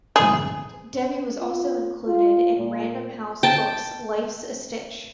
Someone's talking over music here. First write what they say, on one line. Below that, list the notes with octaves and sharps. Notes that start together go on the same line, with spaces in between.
Debi was also included in Random House books' Life's a Stitch.
G#4
F4
F4
A#2
G5 A5